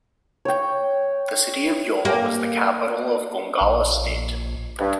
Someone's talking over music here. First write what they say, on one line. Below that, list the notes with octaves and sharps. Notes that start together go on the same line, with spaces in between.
The city of Yola was the capital of Gongola State.
C#5 G5
A#3 G4 G5
A#1
G2